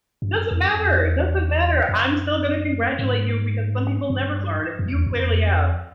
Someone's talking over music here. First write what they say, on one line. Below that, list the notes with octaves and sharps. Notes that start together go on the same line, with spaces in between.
Doesn't matter, it doesn't matter. I'm still gonna congratulate you because some people never learn and you clearly have.
G2
F#2
F2
F#2
F2
E2
F#2
G#2
G2
F#2
E2
F#2
F2